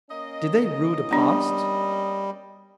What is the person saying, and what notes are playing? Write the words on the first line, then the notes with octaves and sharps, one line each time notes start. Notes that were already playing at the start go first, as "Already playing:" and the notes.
Did they rue the past?
A#3 C#4 D#5
G3 B3 D4